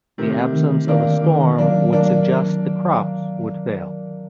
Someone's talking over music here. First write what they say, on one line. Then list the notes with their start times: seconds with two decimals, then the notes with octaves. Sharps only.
The absence of a storm would suggest the crops would fail.
0.18 C3 D#3 A3
0.53 D#3
0.88 D#3 A#3 D4
1.24 D#3
1.58 F#3 A#3 D4
1.93 F#3 A#3 D4